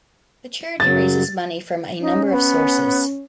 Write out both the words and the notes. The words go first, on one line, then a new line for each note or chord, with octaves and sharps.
The charity raises money from a number of sources.
F#2 C#3 F#3 A6
C#4 D#4
B3